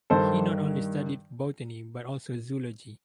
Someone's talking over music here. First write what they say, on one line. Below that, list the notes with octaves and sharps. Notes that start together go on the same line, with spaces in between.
He not only studied botany but also zoology.
G2 D#3 G3 A4 C5